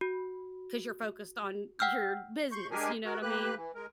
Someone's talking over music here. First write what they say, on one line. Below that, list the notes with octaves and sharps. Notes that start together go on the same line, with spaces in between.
'cause you're focused on your business, you know what I mean?
F#4
F#5 G5 E6 F6 G6
C6 C#6 G6
G#3 D4 G4 G#4 A#4 G#5
F#4 A#4
A#3 G4 B4 F#6
E3
G#3 A#4